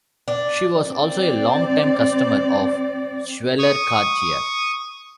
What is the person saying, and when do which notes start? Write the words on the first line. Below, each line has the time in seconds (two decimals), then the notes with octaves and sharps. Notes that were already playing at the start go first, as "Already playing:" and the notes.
She was also a longtime customer of jeweller Cartier.
0.28 D4
0.86 C4 D5
3.59 C#6 D#6